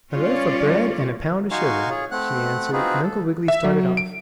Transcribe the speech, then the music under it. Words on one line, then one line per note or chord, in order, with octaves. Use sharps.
"A loaf of bread and a pound of sugar," she answered, and Uncle Wiggily started off.
G3 C#4 F4 C#5 D5
D#4 F#4 F5 G#5 C6 C#6
F4 G#4 C#5
A3 C4 F#5 F#6
C4 D#4 F4 F#4 G#4 B4
A4
E5
F#3
D7